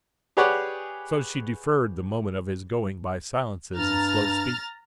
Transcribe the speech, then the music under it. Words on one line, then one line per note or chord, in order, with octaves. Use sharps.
So she deferred the moment of his going by silences and slow speech.
G4 G#4 B4 C#5 D5 F#5
G2 A#5 F6 A6